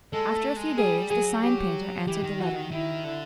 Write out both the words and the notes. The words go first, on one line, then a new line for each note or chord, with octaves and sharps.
After a few days the sign painter answered the letter.
G#3 A4
A3
G#3
G3 G#4
F#3 G#4
G4
E3 G4
D#3
E3 F#4
D#3
D#3 E4
D3